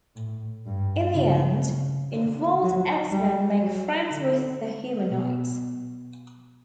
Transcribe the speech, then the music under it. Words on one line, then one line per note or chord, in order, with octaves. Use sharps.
In the end, involved X-Men make friends with the humanoids.
A2
G2
C#3
C#3
D3
F#3
G3
F#3
D3
B2